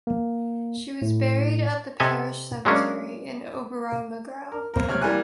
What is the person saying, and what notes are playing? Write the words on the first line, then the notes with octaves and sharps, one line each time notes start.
She was buried at the parish cemetery in Oberammergau.
A#3
A2
C3 A4 D#5 E5 G#5
F#3 G#3 A#3 C#4 D4
A#4
A#3 C4 A#4
C3 C#5 F6
E3 G3 A#3 G#5 F#6